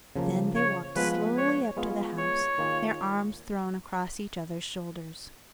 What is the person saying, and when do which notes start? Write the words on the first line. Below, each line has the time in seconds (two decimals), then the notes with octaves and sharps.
Then they walked slowly up to the house, their arms thrown across each other's shoulders.
0.16 C#3 F3 A#3
0.55 C#5
0.96 F3 G#3 B3 F4 B4
1.37 C#5
1.77 G#3 B3 F4 G#4
2.17 C#5
2.58 D#3 A#3 F4 G#4